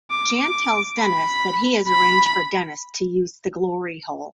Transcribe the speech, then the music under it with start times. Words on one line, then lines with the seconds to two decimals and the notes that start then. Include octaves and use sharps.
Jan tells Dennis that he has arranged for Dennis to use the glory hole.
0.11 D6
0.41 D6
1.00 B5
1.89 B5